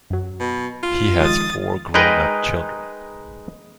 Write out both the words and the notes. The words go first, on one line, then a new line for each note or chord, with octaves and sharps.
He has four grown-up children.
F#2 F#3
B2
F4
D#3 F3 G#3 D#6 A6
G#3 D#4 A#4 B4 D#5 G5